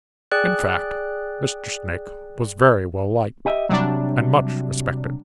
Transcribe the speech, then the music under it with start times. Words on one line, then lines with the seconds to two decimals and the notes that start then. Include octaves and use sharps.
In fact, Mr. Snake was very well liked and much respected.
0.32 G#4 D5 G5 F#6
3.46 G4 D#5 E5
3.69 C3 F#3 G3 D4